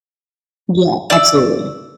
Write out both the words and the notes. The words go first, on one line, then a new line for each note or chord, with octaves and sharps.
Yeah, absolutely.
D5 E6